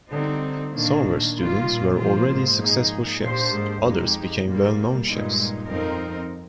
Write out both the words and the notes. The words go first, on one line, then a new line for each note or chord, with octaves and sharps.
Some of her students were already successful chefs; others became well-known chefs.
D3 G3 C4 D#4
A#2 D#3 A#3 D4
D#3 G3 A#3 F4
A#2
F3 A#3 F4 C5
G#2
A#2 F3 A#3 D#4 G#4
A#2 A#3 D4 G4 C5
G#2
F2 G#3 D#4 G4
A#2 G3 A#3
G2 A#2 G#3 D#4
F2 F3 C4 D#4 A#4